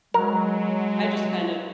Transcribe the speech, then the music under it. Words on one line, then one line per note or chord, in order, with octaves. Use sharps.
I just kind of
F#3 G#3 A#4